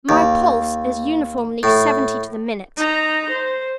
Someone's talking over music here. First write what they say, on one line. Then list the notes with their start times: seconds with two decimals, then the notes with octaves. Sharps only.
My pulse is uniformly seventy to the minute.
0.09 D#2
1.63 A2
2.77 D#4 A#5
3.30 C5